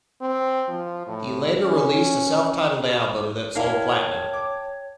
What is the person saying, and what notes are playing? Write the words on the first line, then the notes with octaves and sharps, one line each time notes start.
He later released a self-titled album that sold platinum.
C4
F3
A2
C#4
A#3 E4 C#5 F5 G5 A5
D6